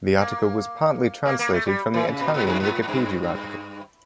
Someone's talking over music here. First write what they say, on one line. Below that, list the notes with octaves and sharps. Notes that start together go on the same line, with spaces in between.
The article was partly translated from the Italian Wikipedia article.
A#3
A#3
A#3
A3
G3
E3
C#3
A#2
A2
G2
A2
A2
G2